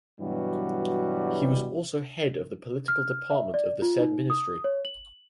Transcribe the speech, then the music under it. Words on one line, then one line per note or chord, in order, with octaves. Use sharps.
He was also head of the Political Department of the said Ministry.
G2 B2 E3 F#3 G3 F#4
F6
E5
D5
F4
D#4
D#6
C#5
F#7